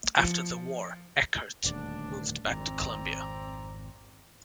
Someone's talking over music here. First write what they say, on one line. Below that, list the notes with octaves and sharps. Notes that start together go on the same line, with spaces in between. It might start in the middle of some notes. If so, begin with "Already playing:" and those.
After the war Eckert moved back to Columbia.
F3 C#7
D#1 D2 D4
G#1 F2 C4 D5 A#5